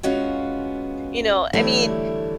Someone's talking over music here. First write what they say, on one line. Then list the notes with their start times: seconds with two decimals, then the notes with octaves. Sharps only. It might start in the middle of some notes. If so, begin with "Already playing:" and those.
you know I mean,
0.03 G#3 B3 C#4 F4 F#4 F5
1.53 D3 E3 G3 A3 E4 C#5